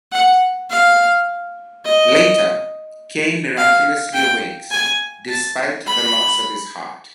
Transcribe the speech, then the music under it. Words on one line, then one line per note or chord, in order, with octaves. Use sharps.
Later, Kain miraculously awakes, despite the loss of his heart.
F#5
F5
D#5
F5
G5
G#5
A5
B5